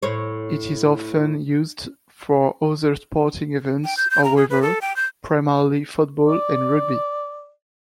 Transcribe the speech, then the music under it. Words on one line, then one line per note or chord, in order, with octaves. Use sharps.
It is often used for other sporting events however - primarily football and rugby.
A2 C5 C#5
G5
G6
G6
A#5
G#4
B4
A4
G5
G6
D5